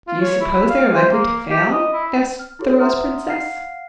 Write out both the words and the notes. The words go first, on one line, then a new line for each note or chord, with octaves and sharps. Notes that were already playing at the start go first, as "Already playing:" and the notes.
"Do you suppose they are likely to fail?" asked the Rose Princess.
F4
C#5
E4
F5
C5
A#3
G4
D#5
E4
F6
E4 F#4 G4 A4 C#5
E5 F#5 A#5 C6 D#6 F6
F5 F#5 F6 C7